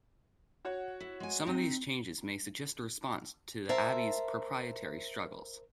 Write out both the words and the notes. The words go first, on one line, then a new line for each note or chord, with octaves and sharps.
Some of these changes may suggest a response to the abbey's proprietary struggles.
F#4 C#5 F#5
E4
G#3 G#5
C4 D#4
A#4 C5 E5 A5